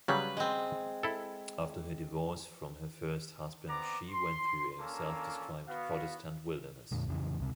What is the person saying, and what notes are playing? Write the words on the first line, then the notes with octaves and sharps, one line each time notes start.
After her divorce from her first husband, she went through a self-described "Protestant wilderness".
C#3 F#3 G3 B4
G#3 C4
E4 A4
B3 C4 D5 A#5 D6
C6
A#3 C#4 D4 F4 A4 A#4
B3 F#4 F5
F2 A#2 D3 G#3
F2 C#3 E3
C#2 C3